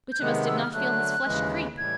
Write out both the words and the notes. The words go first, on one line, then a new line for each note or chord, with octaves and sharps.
Which of us did not feel his flesh creep!
G6
C3 D#3 G#3 B3 F#6
E6
F6
D3 F#3 A3 F#6
D#2 C#3 E3 G#3
A2 E3 G3 G#6